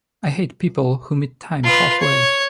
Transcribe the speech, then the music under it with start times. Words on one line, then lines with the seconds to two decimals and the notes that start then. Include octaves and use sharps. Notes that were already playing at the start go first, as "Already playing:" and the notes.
I hate people who meet time halfway.
1.64 F4 B4
2.00 C#5